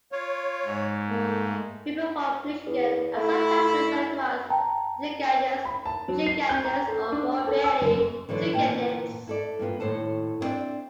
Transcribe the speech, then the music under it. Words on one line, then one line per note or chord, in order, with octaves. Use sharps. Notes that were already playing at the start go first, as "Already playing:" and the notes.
People from Michigan are sometimes referred to as Michiganders, Michiganians, or, more rarely, Michiganites.
F4 C#5
G#2
A3 A#3
E2
A3 E4
G5 A5 A#5
B5
A5
F#3
C7
G6
A#5
A4
D4
A4
E6
F#1
D3 E3 F#3 D4
D2 A#2 E3 G5 A5
E4 A4 D5
G2 A#2 B3 F4
D#2 A2 C#3 A4 C5 A5
B3 C4 D4 D5 E5